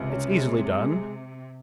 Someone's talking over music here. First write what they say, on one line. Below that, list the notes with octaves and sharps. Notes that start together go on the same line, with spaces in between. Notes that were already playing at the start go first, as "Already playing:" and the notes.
It's easily done.
Already playing: C#2 C3
C#4
G#3
G#3
G#3